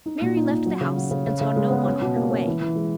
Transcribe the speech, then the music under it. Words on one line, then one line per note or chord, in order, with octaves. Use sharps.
Mary left the house, and saw no one on her way.
D#4
A#2
D#4
A#2
F#3
C#3
F#3
C#3
C#3
C#3
G#3
B3
C#4
B2
A#3
C#4
E3
E3
G#3